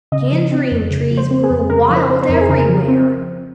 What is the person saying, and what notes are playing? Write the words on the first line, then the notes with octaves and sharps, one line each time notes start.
Tangerine trees grew wild everywhere.
C#3 D#5
F3
C4
F2
C#3
F3
C5
C4
G#4
F2
C#3 A#4
F3
C5
C4
C5
F2 A#4
G#4
C#3 A#4
F3
C4